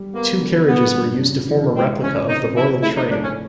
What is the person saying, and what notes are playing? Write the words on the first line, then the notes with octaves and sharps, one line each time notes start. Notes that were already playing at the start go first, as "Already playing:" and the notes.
Two carriages were used to form a replica of the Royal Train.
Already playing: G3
A#3 B3
D3
F#3 B3
G2
C#3
E3
G#3 C4
C#3 C#4
C4 D#4
F3 E4
A3 E4
D#4
A2 D4
C#4